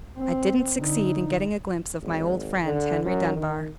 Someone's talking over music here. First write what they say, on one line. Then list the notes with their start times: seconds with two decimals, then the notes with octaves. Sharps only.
"I didn't succeed in getting a glimpse of my old friend Henry Dunbar."
0.18 C4
0.76 D3 D#4
2.02 G#1
2.64 D3
3.05 F#2
3.36 D#3